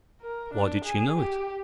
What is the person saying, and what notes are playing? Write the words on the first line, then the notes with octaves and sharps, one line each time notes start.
Why did she know it?
A#4
D4
G#4
G4